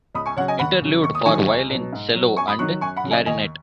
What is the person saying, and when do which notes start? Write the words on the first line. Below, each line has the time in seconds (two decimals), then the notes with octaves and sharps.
"Interlude", for violin, cello, and clarinet.
0.15 C#2 B5 D#6
0.26 G#5 C#6
0.37 C#3 F#3 C#5 F#5
0.48 D#5 G#5
0.59 D#2 F#5 B5
0.82 C#3 F#3
1.03 D#2 C#6
1.15 D#6
1.26 D#3 F#3 G#5 C#6
1.48 C#2
1.70 B2 F#3
1.93 G#2
2.15 F#3
2.37 F#2 G#5 C#6
2.48 B5 D#6
2.59 D#3 F#3 C#6 F#6
2.81 F#2 G#5 C#6
2.97 F#5 B5
3.04 C#3 F#3
3.11 D#5 G#5
3.26 D#2 D#5 G#5